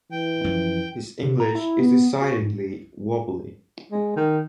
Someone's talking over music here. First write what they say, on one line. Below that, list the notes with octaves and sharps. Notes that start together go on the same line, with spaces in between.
His English is decidedly wobbly.
E3 G5
F#2 F3
C3
A#5
E4
B3
F#4
G#2
G#3
D#3